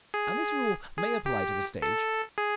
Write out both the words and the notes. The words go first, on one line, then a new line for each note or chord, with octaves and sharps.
And this rule may apply to the stage.
G#4
G#4
G4
A4
G#4